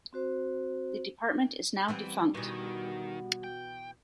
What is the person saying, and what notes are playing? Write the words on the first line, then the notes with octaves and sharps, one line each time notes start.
The department is now defunct.
C4 F#4 C5
E3 G3 B3 C4
B2 D#3 E3 F#4
G5